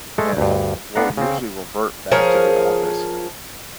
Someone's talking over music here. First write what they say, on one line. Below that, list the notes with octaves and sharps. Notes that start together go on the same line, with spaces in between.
e uh, w we'll usually revert back to The Office,
G#3 A3 A4
D2 G2
B3 D4 F5 F#5 A#5
C#3 C4
F3 C#4 G#4 A#4